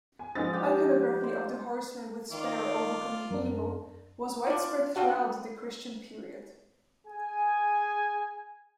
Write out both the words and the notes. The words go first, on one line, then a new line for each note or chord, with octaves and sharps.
Iconography of the horseman with spear overcoming evil was widespread throughout the Christian period.
G#5
G#2 F3 C#4 D#4 A6
D4 F#4 G4
C5
D#3 F4 D5
F#2 D4 A#4
C#4 D4 F4 D5
D4 F4 F#4 A4 F#5 G5
G#4 G#5